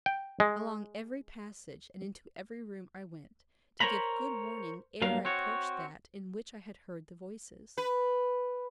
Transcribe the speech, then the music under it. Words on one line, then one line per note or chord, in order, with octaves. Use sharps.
Along every passage and into every room I went, to give good warning ere I approached that in which I had heard the voices.
G5
G#3
A#4 C5 C#5 A#5 B5
G2 F#3 A#3 F5
C4 F#4 C#5
B4